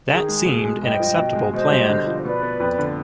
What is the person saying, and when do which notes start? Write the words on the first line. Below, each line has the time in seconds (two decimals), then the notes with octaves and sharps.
That seemed an acceptable plan.
0.11 D#3 G#4
0.28 G#3
0.46 B2
0.64 G#3
0.82 G2 D#5 G5
1.00 F3
1.17 B2
1.35 G#3
1.53 B2 C5 D#5
1.71 G3
1.89 D3
2.07 F3
2.24 B2 B4 D5
2.42 B3
2.60 F2
2.78 D3